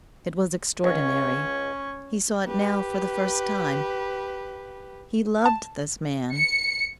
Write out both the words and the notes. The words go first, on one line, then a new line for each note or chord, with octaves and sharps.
It was extraordinary--he saw it now for the first time--he loved this man.
C#2 C#4 C#5
G4 B4
A5
C#7